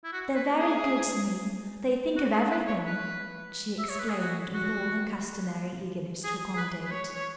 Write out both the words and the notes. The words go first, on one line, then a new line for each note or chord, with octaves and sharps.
"They're very good to me--they think of everything!" she exclaimed with all her customary eagerness to accommodate.
E4
F#4
B4
G#4
F#4
G#4
B4
C#5
B4
E5
C#5
B4
G#4
F#4
F#4
G#4
G#4
B4
B4
C#5
C#5